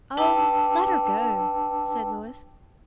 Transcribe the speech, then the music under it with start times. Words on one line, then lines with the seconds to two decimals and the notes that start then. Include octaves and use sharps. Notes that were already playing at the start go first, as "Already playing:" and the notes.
"Oh, let her go!" said Louis.
0.17 D4 B4 G5 A5 D6 E6